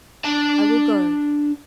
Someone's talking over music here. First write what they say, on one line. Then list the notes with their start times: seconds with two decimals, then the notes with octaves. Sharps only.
I will go.
0.24 D4 A5